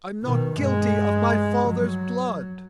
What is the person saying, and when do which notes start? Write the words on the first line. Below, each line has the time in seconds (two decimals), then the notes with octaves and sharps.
I'm not guilty of my father's blood....
0.24 B2 D#3
0.58 G2 G#3
1.69 F#3